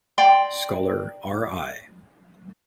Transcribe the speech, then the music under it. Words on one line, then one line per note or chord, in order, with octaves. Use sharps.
Scholar R. I.
D5 G5 A#5 C6